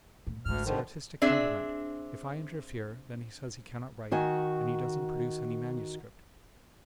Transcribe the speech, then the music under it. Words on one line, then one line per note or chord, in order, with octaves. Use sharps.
It's the artistic temperament. If I interfere, then he says he cannot write and he doesn't produce any manuscript.
A2
G#1 D2 G#2 F6
D3 D#3 F3
C4 D4 G#4 E5
D#3 F#4 D#5 G#5